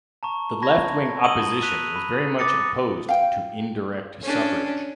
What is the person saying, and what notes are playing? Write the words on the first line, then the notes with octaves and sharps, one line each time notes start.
The left wing opposition was very much opposed to indirect suffrage.
A5 A#5 C#6
A5 B5 C#6 G#6 A#6
D#6 E6 D#7 F#7 G7
F#6 B6 D#7 F7
B5
D6 D#6 A6 A#6 C#7
F5 G5
C#4 D4